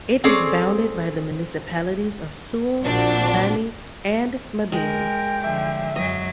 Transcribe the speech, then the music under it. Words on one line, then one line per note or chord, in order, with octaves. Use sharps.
It is bounded by the municipalities of Sual, Bani, and Mabini.
C4 C#4 G#4 A4 C#5 D5
A#1 A#2 C4 D4 F#4
G#3 A#4 G5
D3 F3 E5
F#2 F#3 D#5